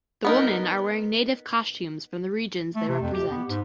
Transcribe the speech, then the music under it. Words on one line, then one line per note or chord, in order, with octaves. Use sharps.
The women are wearing native costumes from the regions they represent.
B3 D#4 A#4
A3
C3
F2
G4
B3
G#2